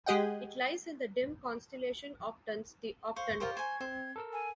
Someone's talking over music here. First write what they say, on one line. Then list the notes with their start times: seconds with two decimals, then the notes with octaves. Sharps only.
It lies in the dim constellation Octans, the Octant.
0.06 G#3 G4 G#4 D#5 F#5 G5
3.16 C5 F5 C#6
3.40 F4 G4 A#4 C5
3.57 C5 G#5 G#6
3.81 C4 C5
4.16 A4 A#4 E6
4.33 G#5